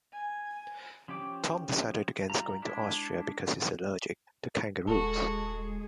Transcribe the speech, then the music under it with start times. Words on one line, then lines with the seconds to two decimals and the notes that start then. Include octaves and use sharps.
Tom decided against going to Austria because he's allergic to kangaroos.
0.13 G#5
1.08 F3 C#4 G4 G5 D6
2.30 G3 F4 A#5
2.62 G#3 D4 E4
4.87 D#1 G#3 F#4 G#4 A4